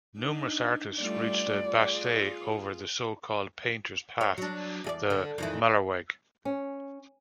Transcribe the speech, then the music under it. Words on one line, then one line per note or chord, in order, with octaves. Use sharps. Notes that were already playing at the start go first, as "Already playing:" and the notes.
Numerous artists reached the Bastei over the so-called Painter's Path, the "Malerweg".
D4 D#4
G3 A3 F4 D5
F4 G#4
C#5
F#3 D4
E2 G#4 D5
D3
F2 D#3 E3
C#4